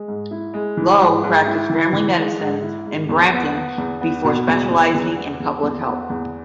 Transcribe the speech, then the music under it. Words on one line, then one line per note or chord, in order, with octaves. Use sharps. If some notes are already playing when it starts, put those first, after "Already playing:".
Loh practiced family medicine in Brampton before specializing in public health.
Already playing: G#3
G#2
E4
G#3
E3
G#2
G#2
E4
E3
E3
G#3
G#2
E4
G#2
E2
B3
B3
E2
B3
B2
E2
E2
E2
B3
E2
E2
B3
E2